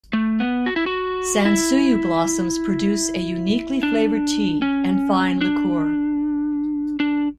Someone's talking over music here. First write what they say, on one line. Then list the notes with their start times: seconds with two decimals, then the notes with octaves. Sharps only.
Sansuyu blossoms produce a uniquely favored tea and fine liquor.
0.13 A3
0.40 B3
0.66 F#4
0.76 E4
0.86 F#4
1.45 E4
3.83 D4
4.62 C#4
5.41 D4
7.00 D4